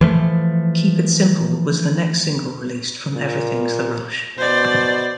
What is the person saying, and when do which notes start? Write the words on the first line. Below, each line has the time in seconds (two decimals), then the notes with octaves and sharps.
"Keep It Simple" was the next single released from "Everything's the Rush".
0.01 E3 F3 A3
3.15 A#2
4.38 B2 C5 D5